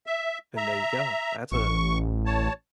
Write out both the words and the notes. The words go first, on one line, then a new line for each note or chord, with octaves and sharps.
then there you go. That's a
E5
E5 A#5
A1 C#6
C#5 A5